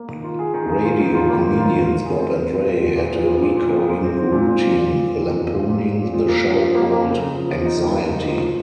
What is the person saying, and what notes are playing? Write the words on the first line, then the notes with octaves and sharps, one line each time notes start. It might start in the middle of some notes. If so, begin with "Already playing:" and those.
Radio comedians Bob and Ray had a recurring routine lampooning the show called "Anxiety".
Already playing: A#3
D#3
F4
G#4
D#3
G#4
F4
D#3
F4
A#3
D#3
F4
F4
F4
G#4
C4
C4
C4
A#2
F3
A#2
F3
F3
A#2
A#2
F3
F3
C4
C4
A#2
A#2
A#2
A#2
F3
A#2
A#2
A#2
F3
A#2
A#2
A#2
F3
A#3
F3
F3
A#3
A#3
C#3
C#3
F3
F3
D#4
A#3
A#3
D#4
F3
C#3